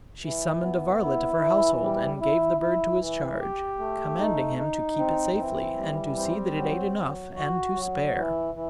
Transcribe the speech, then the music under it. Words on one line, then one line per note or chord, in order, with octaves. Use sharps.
She summoned a varlet of her household and gave the bird to his charge, commanding him to keep it safely, and to see that it ate enough and to spare.
E3
B3
E4
E3
G3
E4
E4
E3
G4
A3
D#4
D#4
C4
E3
G3
C4
F#3
F#3
F#4
F#3
E3
E3